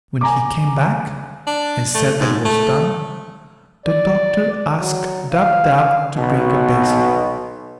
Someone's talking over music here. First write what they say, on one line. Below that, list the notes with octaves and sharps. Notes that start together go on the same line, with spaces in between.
When he came back and said that it was done, the Doctor asked Dab-Dab to bring a basin.
G#5 A#5 D6
D4
A3
G#2
A3
D5
F#3
F5
B1 B2